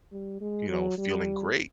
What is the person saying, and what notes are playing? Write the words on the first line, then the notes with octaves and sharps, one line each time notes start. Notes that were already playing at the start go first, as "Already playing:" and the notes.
you know, feeling great
G3
G#3
F#3
G3